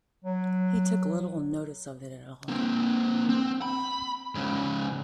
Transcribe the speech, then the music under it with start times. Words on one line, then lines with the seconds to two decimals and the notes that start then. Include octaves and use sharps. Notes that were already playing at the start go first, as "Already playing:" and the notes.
He took little notice of it at all.
0.24 F#3
2.48 A#3 C4
3.29 C4
3.62 B5
4.35 G#2 C#3